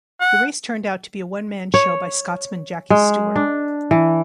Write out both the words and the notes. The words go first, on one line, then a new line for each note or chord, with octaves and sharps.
The race turned out to be a one-man show by Scotsman Jackie Stewart.
F#5
C#5
G#3
D4
E3